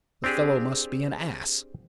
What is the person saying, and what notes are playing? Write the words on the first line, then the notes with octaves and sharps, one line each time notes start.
The fellow must be an ass!
C4 D4 G4 G#4